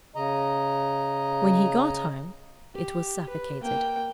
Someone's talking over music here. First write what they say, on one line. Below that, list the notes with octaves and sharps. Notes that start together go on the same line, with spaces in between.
When he got home, it was suffocated.
C#3 D#5 A#5
G4
B4
A#3 G5